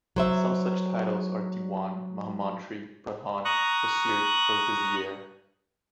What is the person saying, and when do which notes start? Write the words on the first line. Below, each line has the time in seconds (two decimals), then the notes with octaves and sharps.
Some such titles are diwan, mahamantri, pradhan, wasir or vizier.
0.16 F#3 C5 E5
3.45 A#5 C#6 D#6 F#6